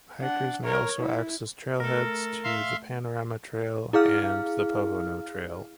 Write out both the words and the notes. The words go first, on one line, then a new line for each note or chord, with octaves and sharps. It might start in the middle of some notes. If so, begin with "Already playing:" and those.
Hikers may also access trailheads to the Panorama trail and the Pohono trail.
D4 F#5
A#4 C#5
E4
A3 A4 A#4
E5 F5 C6
E4 G#4 F5 F6